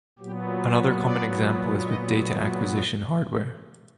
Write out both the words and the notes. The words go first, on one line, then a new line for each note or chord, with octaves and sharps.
Another common example is with data acquisition hardware.
A#2 F#3 B3 G4
C5
D5
D#5